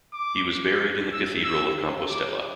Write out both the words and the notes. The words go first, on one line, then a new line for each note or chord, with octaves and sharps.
He was buried in the cathedral of Compostela.
D6
E6
E6
D6